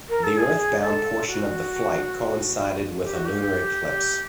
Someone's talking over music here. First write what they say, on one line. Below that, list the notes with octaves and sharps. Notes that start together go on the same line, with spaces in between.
The Earth bound portion of the flight coincided with a lunar eclipse.
A#4
A4
G#4
A4
F#4
G4
F#4
G4